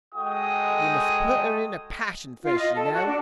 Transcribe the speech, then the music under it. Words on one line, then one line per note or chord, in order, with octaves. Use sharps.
You must put her in a passion first, you know.
G#3 F#4 A4 D#5 G5 D#6
F4
D#5
A4
F#4
D4